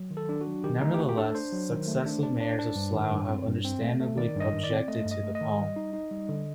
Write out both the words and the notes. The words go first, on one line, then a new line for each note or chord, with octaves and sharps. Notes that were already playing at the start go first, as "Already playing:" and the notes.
Nevertheless, successive mayors of Slough have understandably objected to the poem.
Already playing: F#3
D#3
A4
D4
F#4
F#3
D#3 G4
A3 D#4
G4
A3 F#4
G4
D4 A4
D4 C5
F#3
D#3
A3
D4
D4
D4
D4
G2
D#3
G2
C4
G2
C4
A3
A3
D#3 D5
G2
D#5
D#3
D5
C4
A3 D#5
G2
D#5
A3
D#5
D#3
G3
D#4
D#4
G3
D3